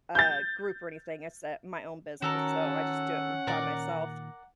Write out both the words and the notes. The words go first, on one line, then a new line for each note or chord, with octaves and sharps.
uh, group or anything, it's, uh, my own business, so I just do it m by myself,
G6 A6
D#3 C#4 F#4 A4 A#4 F#5
A#2 D#3 A#4 D5 D6